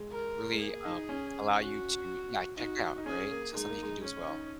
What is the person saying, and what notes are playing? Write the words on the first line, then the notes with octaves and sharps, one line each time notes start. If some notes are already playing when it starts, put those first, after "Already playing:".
really, um, allow you to yeah, check out, right? So, that's something you can do as well.
Already playing: G#3
A#4
G#3
A#3 G#4
D#4
C#4
F#4
D#4 F#4
D#4
C#4 G#4
A#3
G#3 D#4
A#3
G#3
C#4
D#4